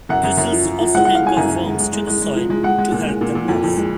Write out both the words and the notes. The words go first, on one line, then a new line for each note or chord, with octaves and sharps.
Bristles also anchor worms to the soil to help them move.
F#2 F#5
F#2
F#2
F3
F3
F3
G#3 F#5
F#5
G#3
F5
G#3 G#5
F#2 G#5
F#2
G#3
G#3
G#3
G#3
G#3
F3
G#3
G#3 F#5
G#3
A#2
G#3
A#2
A#2
F2
F2
G#3